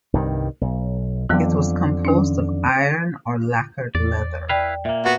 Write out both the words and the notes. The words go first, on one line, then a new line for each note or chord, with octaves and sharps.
It was composed of iron or lacquered leather.
C2 G2 D#3
B1
F2 D3 E3 F#3 B3
D#3 C#4 D4
E2 D5
E4 B4 D5 F5 G5
A#2 A#3 E5
B3 F#4